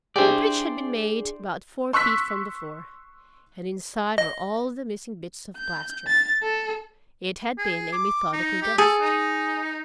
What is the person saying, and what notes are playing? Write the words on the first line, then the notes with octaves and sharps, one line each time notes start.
The breach had been made about four feet from the floor, and inside were all the missing bits of plaster. It had been a methodical ghost.
D4 E4 G4 G#4 C5 D5
C6 C#6 E6 F#6 B6
D#5
G6
A6
A4
G#4
D6
D#4
G4
G#4 A4
D#4